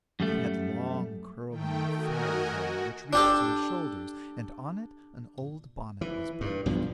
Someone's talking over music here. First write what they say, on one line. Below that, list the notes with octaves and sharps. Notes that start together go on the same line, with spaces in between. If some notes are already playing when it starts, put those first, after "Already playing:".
He had long, curling, fair hair which reached to his shoulders and on it an old bonnet was perched.
F#2 G3 A3
D#3 A3 G5
F#4 A#4 D#5 G#5
F#4
D4 G4 A4
E3
G2
B1 G2 B2 F3